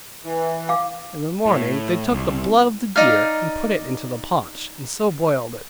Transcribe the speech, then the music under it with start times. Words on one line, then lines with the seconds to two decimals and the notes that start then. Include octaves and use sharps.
In the morning they took the blood of the deer, and put it into the paunch, and so boiled it.
0.24 E3
0.69 F5 D6
1.46 A2
2.12 C2
2.96 D#4 D5 F5